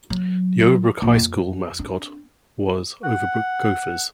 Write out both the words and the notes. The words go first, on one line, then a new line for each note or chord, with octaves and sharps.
The Overbrook High School mascot was Overbrook Gophers.
F#3
A#1
F2
C4 D4
F#5